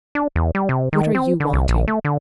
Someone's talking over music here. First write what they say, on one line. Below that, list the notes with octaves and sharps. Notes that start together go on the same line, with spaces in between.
"What are you wanting?"
D4
E2
G3
C3
D#3
C4
D3
C2
A#1
A3
D3